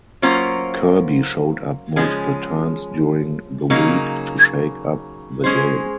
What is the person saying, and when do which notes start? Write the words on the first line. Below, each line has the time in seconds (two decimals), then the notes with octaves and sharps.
Kirby showed up multiple times during the week to shake up the game.
0.22 F#3 A#3 C#4 F4 C5
1.96 C#3 F3 G#3 C#4 G#4
3.70 C#3 F#3 A#3 D#4
5.44 G#3 C#4 G#4 C5